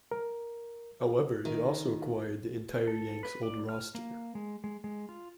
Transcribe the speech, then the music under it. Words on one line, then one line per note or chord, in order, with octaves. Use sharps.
However, it also acquired the entire Yanks old roster.
A#4
D#3
A4
B4
D5
F6
A#3
G#3
G#3
G#3
F4